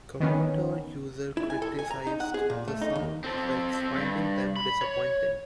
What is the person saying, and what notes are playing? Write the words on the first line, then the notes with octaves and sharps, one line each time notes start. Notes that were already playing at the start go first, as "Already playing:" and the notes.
"Commodore User" criticised the sound effects, finding them "disappointing".
D#3 B3 C#4
E4
G#5
A4
G#5
A#5
D#4
F#5
G#4
A#2
A3
D#4
D#2
C4 A4
G2
B5
C#5